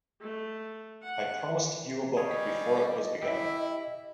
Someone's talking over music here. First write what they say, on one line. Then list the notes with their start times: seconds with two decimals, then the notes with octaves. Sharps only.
I promised you a book before it was begun.
0.21 A3
1.03 F#5
2.17 G3 G#4 C#5 D#5
3.23 E4 G4 E5